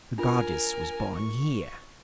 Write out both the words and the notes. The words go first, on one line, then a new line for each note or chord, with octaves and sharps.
The goddess was born here.
D4 F4 A#4 G#5
C#6